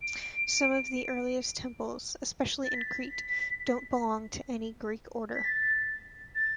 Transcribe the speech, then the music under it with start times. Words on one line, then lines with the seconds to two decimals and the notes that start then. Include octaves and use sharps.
Some of the earliest temples, especially in Crete, don't belong to any Greek order.
0.02 D7
2.64 A6
2.73 B6
5.35 B6
5.44 A6
6.35 A6